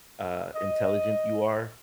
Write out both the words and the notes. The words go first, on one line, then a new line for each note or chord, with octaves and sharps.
uh, intelligent you are.
D#5